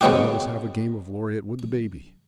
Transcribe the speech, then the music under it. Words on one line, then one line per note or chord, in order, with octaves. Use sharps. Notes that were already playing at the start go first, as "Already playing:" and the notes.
Then let us have a game of loriot with the baby!
C#3 B3 C4 D#4 F#4 G4